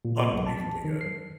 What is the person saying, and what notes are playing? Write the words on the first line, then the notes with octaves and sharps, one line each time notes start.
unbelievably good.
A#2
B1
A5
D#3
C7